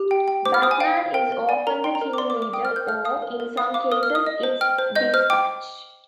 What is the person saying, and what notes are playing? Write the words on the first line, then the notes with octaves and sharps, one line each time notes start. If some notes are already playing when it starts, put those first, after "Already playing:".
Batman is often the team leader or, in some cases, its dispatch.
Already playing: G4
G5
G5
C5 D6
F6
C5 D#6
G#5
F5 G5
F5
A#4 G5
A#4
D5 G#5
A#4 A#5
G5 C6
A#5
A#4
D6
D5 C6
D6
A#4
D6
G5 D#6
F6
A#4 G6
F5 F6
F5 D#6
A#4
A#4
F5 D#6
F5 D6
A#4 D#6
F6
A#4
D#6
D#5
C5
G5 F6
C5
D#5 G6
C5 F6
G5 D6